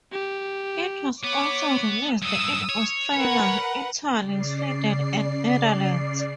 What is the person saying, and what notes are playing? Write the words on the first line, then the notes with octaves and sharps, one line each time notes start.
It was also released in Australia, Italy, Sweden and Netherlands.
G4
B3 B4 C#5 D6
G2 F#3 D#6 E6
C#5
A#4 B4 F#5
C#3 D5 C7